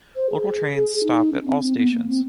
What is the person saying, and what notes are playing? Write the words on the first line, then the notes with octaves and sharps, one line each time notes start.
Local trains stop at all stations.
C5
G#4
D#4
C#4
C#4
C4
C4
B3
A#3
C4